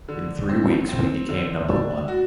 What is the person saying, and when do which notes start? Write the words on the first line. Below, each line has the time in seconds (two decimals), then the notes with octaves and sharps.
In three weeks, we became number one.
0.08 D3
0.49 C4
0.89 C4
1.29 D3
1.68 D4
2.08 F#4